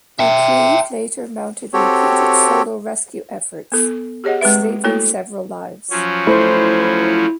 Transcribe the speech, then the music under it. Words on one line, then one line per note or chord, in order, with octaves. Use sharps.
Boukreev later mounted repeated solo rescue efforts, saving several lives.
E5 G5
C4 F#4 G4 A4 C#5
B3 A4
G4 G#4 C#5 D#5 F#5
G#3 C4 B4 E5
A3 A#3 E4 F#4 A4 C#5
F3 F#3 C#4
A3 E4 C5